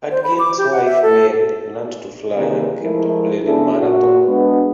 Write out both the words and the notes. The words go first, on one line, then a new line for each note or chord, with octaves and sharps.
Hudgins' wife Mary learned to fly and kept a plane in Marathon.
C5
B5
D6
G4
F#5
E5
A4
C3 D#3 E3 A#3 G#4 B4
F3 G#3 A3 E4 A#4
C#3 B3 D4 E4 G#4 A4
A#2 F#4
G#3 B3 D4